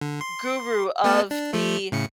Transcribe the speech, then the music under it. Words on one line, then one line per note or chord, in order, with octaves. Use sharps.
guru of the
D3
C6
A3 B3 A5
D4
F3 A3
A2 C#3 C#7